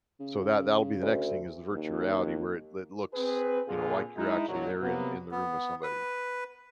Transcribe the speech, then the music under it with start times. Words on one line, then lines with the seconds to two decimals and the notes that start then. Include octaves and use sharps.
So, that that'll be the next thing, is the virtual reality, where it it looks, you know, like you're actually there in in the room with somebody.
0.20 C#3
1.02 D2
1.72 D#2
3.14 C4 G#4 B4
3.67 A#2 D3 F4 G#4
4.16 G#3 D#4 E4
4.48 A#1 A#2 D3 F#3
4.80 C3 F#3 A#3 B3
5.31 B3
5.83 B4